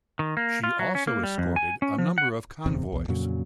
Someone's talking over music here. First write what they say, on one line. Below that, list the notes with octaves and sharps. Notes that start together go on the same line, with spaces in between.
She also escorted a number of convoys.
D#3
A#3
F4
F#3
C#4
A#3
G3
F2
G#5
C#4
F3
F#5
D1 E2 C3
B1 E2
F2 A#2 C#3 F#3